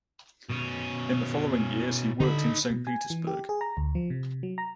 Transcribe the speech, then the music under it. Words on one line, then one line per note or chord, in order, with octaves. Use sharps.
In the following years he worked in Saint Petersburg.
B2 C#4
D3 D#4 B5
B2
G#5
E3
G4
G#4
A#5
D2
F3
C3
F#3
A#5